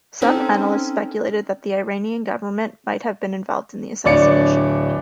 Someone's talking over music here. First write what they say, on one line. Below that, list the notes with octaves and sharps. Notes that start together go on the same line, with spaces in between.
Some analysts speculated that the Iranian government might have been involved in the assassination.
C4 C#4 D#4 A4
D1 D4 C#5 D5 D6 C#7